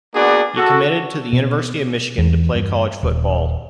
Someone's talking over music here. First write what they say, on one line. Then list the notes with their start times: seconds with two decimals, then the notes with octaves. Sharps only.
He committed to the University of Michigan to play college football.
0.15 A#3 B3 D4 F#4 G#4 D5
0.57 F#4 A4
1.33 B2
2.18 E2
2.55 G2
3.03 D#1